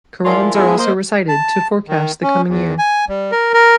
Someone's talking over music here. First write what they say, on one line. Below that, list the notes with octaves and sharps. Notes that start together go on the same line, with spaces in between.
Qurans are also recited to forecast the coming year.
F3 G#3 E4 F4 A#4 D5
F3 G#3 B3 E4 G#4
A#3 C5 D#5
A5
D#3
C#4
E2
G#5
G3
A#4
A#4